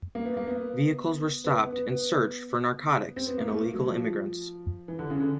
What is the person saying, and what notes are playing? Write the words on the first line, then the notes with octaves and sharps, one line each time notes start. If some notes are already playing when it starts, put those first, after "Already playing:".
Vehicles were stopped and searched for narcotics and illegal immigrants.
A#3
B3
A#3
B3
B3
B3
B3
B3
C4
B3
A#3
A3
F#3
F3
E3
D3
C#3
D3